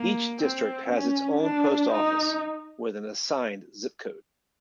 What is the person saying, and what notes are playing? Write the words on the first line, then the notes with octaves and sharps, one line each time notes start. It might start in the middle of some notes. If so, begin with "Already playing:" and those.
Each district has its own post office, with an assigned zip code.
Already playing: A#3
C4
C#4
D4
D#4